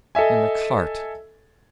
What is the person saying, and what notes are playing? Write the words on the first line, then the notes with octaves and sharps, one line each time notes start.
In the cart.
A4 D#5 E5 G#5